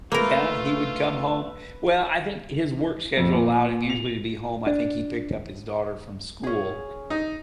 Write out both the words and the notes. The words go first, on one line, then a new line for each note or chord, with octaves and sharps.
yeah, he would come home well, I think his work schedule allowed him usually to be home I think he picked up his daughter from school
A3 A#3 F4 A#4 B4
F2
A#2
F7
D4
C#4 G#4
D#4